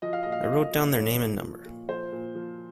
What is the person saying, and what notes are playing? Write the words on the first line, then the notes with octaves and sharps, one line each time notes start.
I wrote down their name and number.
F3 D#5
F5
A#2 D#5
F5
D#5
F3 F5
D#5
A#2
F3 C#5
A#2
F3
A#2
F3 C5
A#2
F3